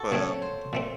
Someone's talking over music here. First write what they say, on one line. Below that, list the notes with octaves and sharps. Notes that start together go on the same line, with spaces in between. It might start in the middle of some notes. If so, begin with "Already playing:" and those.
but, um.
Already playing: F#4 A4
A#2 A3 C4 C#5
C#5
C5
A#2 A3 C4